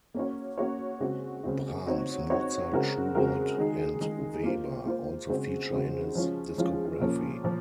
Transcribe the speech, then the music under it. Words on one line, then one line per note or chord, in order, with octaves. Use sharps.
Brahms, Mozart, Schubert and Weber also feature in his discography.
A#3 C#4 F#4 C#5
A#3 C#4 F#4 C#5
C#3 G#3 C4 F#4
C#3 G#3 C4 F#4
C4 D#4 F#4 C#5
C4 D#4 F#4 C#5
C#3 G#3 C4 F#4 A#4
C#3 G#3 C4 F#4 A#4
D#3 G#3 D#4 G#4
D#3 G#3 D#4 G#4
A#3 F4 C5
A#3 F4 C5
C#3 G#3 C4 F#4 C5
C#3 G#3 C4 F#4 C5
F3 G#3 C#4 F4
F3 G#3 C#4 F4
A#2 F3 A#3 C#4
A#2 F3